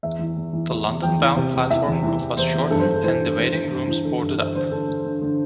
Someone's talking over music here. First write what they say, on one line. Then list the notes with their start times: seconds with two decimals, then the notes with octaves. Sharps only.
The London-bound platform roof was shortened and the waiting rooms boarded up.
0.03 E2 E5
0.19 E3
0.37 E2
0.53 E3
0.70 E2
0.86 E2
1.03 E2 G5
1.20 E3
1.37 C3
1.54 E2
1.70 E3 E5
1.87 E2
2.03 E3
2.20 E2
2.37 E2 C5
2.54 E2
2.70 G2 A4
2.79 C5
2.87 G2
2.96 A4
3.04 E3 C5
3.21 G2
3.38 E3
3.54 E3
3.71 G2
3.88 E3
4.04 D3 A4
4.21 G2
4.38 G2 C5
4.55 D3 C5
4.71 D3 A4
4.88 D3
5.05 D3
5.22 D3